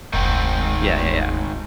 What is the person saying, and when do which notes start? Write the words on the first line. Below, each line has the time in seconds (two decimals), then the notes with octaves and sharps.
Yeah, yeah, yeah.
0.13 F1 D2 G#2 D#3 C4